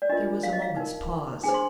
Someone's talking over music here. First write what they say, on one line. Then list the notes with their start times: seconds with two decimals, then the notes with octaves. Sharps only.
There was a moment's pause.
0.02 D5
0.09 D4 F4 A#4 D#5
0.43 F5
0.53 D#5
0.62 F5
0.76 D#4 A#4
1.43 D4 G#4 C5 G#5
1.54 C6